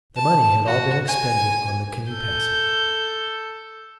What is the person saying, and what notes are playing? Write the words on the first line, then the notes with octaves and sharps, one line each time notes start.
The money had all been expended on the canoe passage.
A5
F#4
G#5
A4 G6